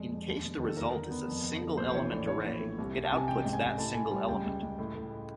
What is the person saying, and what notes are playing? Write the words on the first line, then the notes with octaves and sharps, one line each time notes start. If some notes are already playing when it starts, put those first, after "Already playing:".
In case the result is a single-element array, it outputs that single element.
Already playing: F2 G#3 D5
F2
D#2
E1
D#3 A4
D3 A#4
D3
B3
F2
F2
D3
A#1 C5
E3 C#5
A2 D5
E3 C#5
A#1
A3
C2
C2
A5
C3
G#5
A1 G5
G#2
G#5
A1
A2 A5
A2 G#5
G3
C#2 G5
C#2
C#2
A2
A2